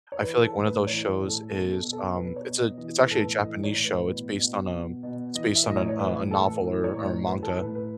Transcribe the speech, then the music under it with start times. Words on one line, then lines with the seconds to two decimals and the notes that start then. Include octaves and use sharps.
I feel like one of those shows is, um, it's a it's actually a Japanese show, it's based on, um it's based on a a a novel, or or a manga,
0.12 C#5
0.22 E3 B4
0.44 A4
0.55 A2
0.65 B4
0.87 E3 C#5
1.07 C#5
1.19 A2
1.28 A4
1.50 B2 A4
1.71 A4
1.82 B2
1.93 A4
2.14 B2 B4
2.26 B4
2.36 C#5
2.47 B2
2.57 D#5
2.78 E3 D#5
3.00 B4
3.10 A2 A4
3.21 B4
3.42 E3 D#5
3.64 C#5
3.74 A2
3.85 B4
4.06 B2
4.39 B2
4.71 B2
5.03 B2
5.34 E3 D#5
5.55 E5
5.66 A2 D#5
5.77 C#5
5.89 C#5
5.99 E3 B4
6.31 A2 A4
6.63 E3
6.84 C#5
6.95 A2
7.05 C#5
7.26 E3 B4
7.43 A4
7.58 A2 B4
7.75 B4